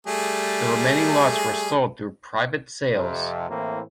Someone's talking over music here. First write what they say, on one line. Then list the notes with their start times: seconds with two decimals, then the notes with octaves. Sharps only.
The remaining lots were sold through private sales.
0.07 G3 A3 G#4
2.94 F2 C3
3.50 A2 E3 A#3 C4